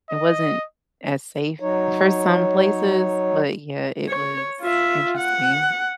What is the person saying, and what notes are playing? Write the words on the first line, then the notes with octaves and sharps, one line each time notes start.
it wasn't as safe for some places, but yeah, it was interesting.
D#5
F#3 D#4 C#5
C#5
F4 E5
F#5